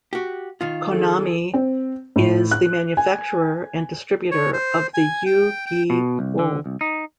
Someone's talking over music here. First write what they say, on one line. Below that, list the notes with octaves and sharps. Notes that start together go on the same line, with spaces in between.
Konami is the manufacturer and distributor of the Yu-Gi-Oh!
F#4 G4
D#3 F4
G#4 A4
C4
A2
F#6
G#5
C#5
C5
G#5
G5
G5
B2
C2
D3
C2
D#4